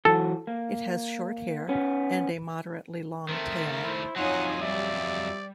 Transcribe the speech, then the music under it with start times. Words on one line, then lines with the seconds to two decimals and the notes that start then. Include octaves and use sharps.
It has short hair and a moderately long tail.
0.05 E3 F#3 F#4 A4
0.47 A#3
1.69 B3 C#4
3.29 D#3 A3 C4 A#4
3.83 E4 C5
4.16 F2 F#3 D#4 F4 C#5 F#5 G#5
4.61 G3 D5 E5